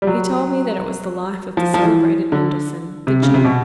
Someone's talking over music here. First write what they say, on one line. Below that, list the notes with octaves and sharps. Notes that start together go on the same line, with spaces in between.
He told me that it was the Life of the celebrated Mendelssohn, the Jew.
G3
F#3
F3
F3
E3
D3
C3
C#3
C3
B2